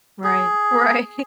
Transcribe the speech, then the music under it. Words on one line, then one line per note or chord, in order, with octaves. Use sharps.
Right. Right.
G#4